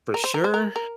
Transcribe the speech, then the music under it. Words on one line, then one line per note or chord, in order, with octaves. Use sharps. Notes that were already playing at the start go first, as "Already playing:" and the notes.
For sure,
A#4
C5
A#4
C5
A#4
A#4